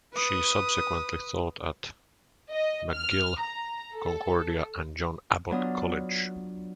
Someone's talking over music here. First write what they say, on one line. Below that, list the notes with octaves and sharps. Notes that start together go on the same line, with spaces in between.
She subsequently taught at McGill, Concordia and John Abbott College.
B4 D#6
D#5
F6
A#5
A4
F#3 B3 D4 F4 D#6